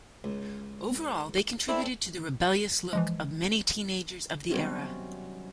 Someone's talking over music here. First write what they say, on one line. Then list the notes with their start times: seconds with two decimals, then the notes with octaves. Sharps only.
Overall, they contributed to the "rebellious" look of many teenagers of the era.
0.24 C#2
1.68 C4 D4 E4 A4
2.93 E3 F3 G#3
4.49 C3 D#3 F#3 G3 B3 C#4